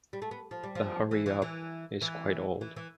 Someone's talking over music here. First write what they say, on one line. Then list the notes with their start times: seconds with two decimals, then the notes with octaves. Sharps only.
The hurry-up is quite old.
0.13 G3
0.22 A3
0.31 B3
0.51 F3
0.63 G3
0.75 F3
1.11 E3
1.26 E3
1.42 E3
2.02 E3
2.61 E3
2.76 E3